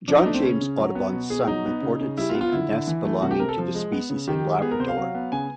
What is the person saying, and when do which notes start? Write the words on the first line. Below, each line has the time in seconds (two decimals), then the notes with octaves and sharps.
John James Audubon's son reported seeing a nest belonging to the species in Labrador.
0.08 F3 D4
0.18 D#4
0.26 A3 D4
0.34 C4
0.43 C#3 C#4
0.61 C#3
0.78 F#3
0.95 B3
1.12 B2
1.30 B2 G#4
1.47 F#3 D#4
1.66 B3
1.82 C#3
2.01 C#3
2.18 G3 E4
2.30 F4
2.35 B3
2.41 F4
2.52 D3 E4
2.70 D3
2.87 E3
3.05 A3
3.22 C3 F#4
3.31 G4
3.40 C3 A#4
3.49 A4
3.58 F3
3.75 G#3
3.92 B3
4.10 C#3
4.27 D#3 G4
4.45 G#3
4.62 B3 G#4
4.71 A#4
4.79 C3 C5
4.88 F5
4.97 F#3
5.15 B3
5.32 C#3 G#5